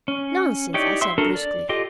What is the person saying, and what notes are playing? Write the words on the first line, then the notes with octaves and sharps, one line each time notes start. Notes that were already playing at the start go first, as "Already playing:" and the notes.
"Nonsense!" I said bruskly.
C#4
D#4 E4 G4 C#5 D5
E5 C6 E6
D4 F#4 A4 A#4
D5
F4 G4 A4 D#5